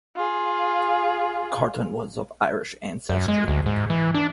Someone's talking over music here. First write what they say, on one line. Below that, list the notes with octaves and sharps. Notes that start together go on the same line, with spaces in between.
Carton was of Irish ancestry.
F4 G#4
F#2
G#3
D2
G#2
E3
D4